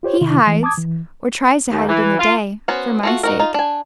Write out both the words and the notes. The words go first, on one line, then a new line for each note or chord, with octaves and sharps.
He hides, or tries to hide, it in the day, for my sake.
F4 G4 C5 C#5
C3 D#3 E4
E3 A3
A5 D6 D#6 G#6
E3
D#2
E3
F4
B3 C#4 F#4 B4 C5
A3 F4 F#4
D#4 F#4 A#4
D#4 F4
D4 G#5